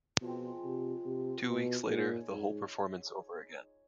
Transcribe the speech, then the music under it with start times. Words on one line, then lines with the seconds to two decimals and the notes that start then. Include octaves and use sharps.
Two weeks later the whole performance over again.
0.22 B2 F3 G#3 C4
0.64 C3
1.05 C3
1.47 B2
1.89 A#2 D#4 G#4 C#5
2.31 G#2